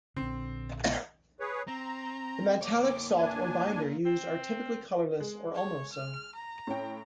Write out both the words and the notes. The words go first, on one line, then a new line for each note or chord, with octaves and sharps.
The metallic salt or binder used are typically colourless or almost so.
A#1 D3 C4
G#4 B4 C#5
C4 A#5
A#3 C#5 D6
D4 G#5
C4
G#3
C#5
F6
A#5
A2 C#4 G5